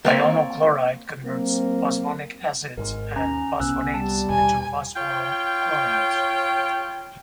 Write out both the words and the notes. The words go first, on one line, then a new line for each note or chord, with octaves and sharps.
Thionyl chloride converts phosphonic acids and phosphonates into phosphoryl chlorides.
A#3 C4 C#5 D5
F#3 A#3 C4
G#1 G#2 A#4
D#2 C#4 A#5
C2 C3 B3 C#4 E6 F#6
G3 A5
D#2 B2 G#5
F4 C#5 G5